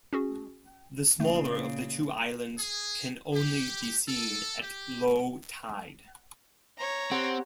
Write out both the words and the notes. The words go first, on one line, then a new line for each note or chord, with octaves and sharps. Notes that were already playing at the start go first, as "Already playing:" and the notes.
The smaller of the two islands can only be seen at low tide.
C#4 F#4 G#4
A#2 C#3 A3
G#4
G4
A4
G4
C#5 A#5
C4 G4 C5 F#5